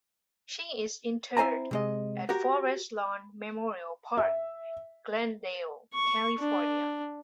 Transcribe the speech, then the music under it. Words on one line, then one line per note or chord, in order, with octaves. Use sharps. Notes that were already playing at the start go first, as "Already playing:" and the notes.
She is interred at Forest Lawn Memorial Park, Glendale, California.
C4 E4 C5 G#5 A#5
C3 G#3 D#5
F#4 G4 A#4
E5
C#6
D4